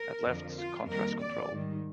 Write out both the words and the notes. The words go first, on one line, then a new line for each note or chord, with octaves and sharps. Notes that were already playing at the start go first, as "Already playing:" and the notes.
At left, contrast control.
Already playing: A#4
F2 D3 F3
F4
F2 D#3 G3 A#3 A#4
D5
G#2 D#3 G3